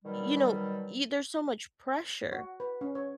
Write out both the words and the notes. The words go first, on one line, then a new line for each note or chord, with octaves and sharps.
you know, y there's so much pressure
B2 D#3 F#3 G3
F#4
B4
C#4
C#5